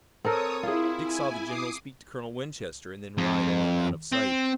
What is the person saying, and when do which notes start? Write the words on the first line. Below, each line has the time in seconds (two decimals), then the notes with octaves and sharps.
Dick saw the general speak to Colonel Winchester and then ride on and out of sight.
0.24 C4 A4 A#4 C#5 D#6
0.63 E4 F4 G#4
1.02 E4 G#5
1.46 D6 D#6 C7
3.18 F2
4.13 C4